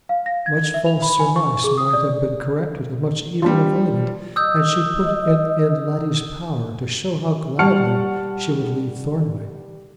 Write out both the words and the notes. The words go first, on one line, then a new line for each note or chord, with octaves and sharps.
Much false surmise might have been corrected, and much evil avoided, had she put it in Letty's power to show how gladly she would leave Thornwick.
F5
A#6
G#6
E5
F7
B5
G#5
C#6
G#4
D#6
D5
F3 G3 D4 F4
D#5 D#6 E6 G6
G3 F#5 A5 C#6 F6 C#7